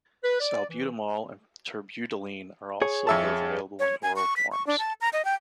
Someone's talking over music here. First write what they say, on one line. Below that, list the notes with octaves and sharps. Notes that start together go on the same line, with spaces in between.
Salbutamol and terbutaline are also both available in oral forms.
B4
D5
E3
G#4 C#5
F2 E5 A5
C#5
G#5
C#6
B6
C#6
D4
A5
A#5
D#5
G5